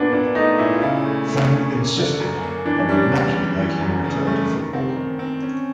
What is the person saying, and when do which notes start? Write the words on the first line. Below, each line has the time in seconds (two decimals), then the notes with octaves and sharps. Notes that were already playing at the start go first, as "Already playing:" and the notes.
Fenn insisted he would not be making a return to football.
Already playing: A#2 A#3 B3 D4
0.12 A#2 D4
0.35 A3 D#4
0.58 A#2 E4
0.74 F4
0.82 C#3 E4
1.04 A3
1.28 A3
1.50 C#4
1.74 A#3
1.97 D3
2.20 F#2
2.43 A#3
2.65 E3 D4
2.79 C#4
2.89 G3 D4
3.12 E2
3.35 G3
3.58 E3
3.81 F#2
4.04 C#3
4.27 A3
4.50 D#3
4.73 C4
4.96 D#3
5.19 C4
5.43 C#4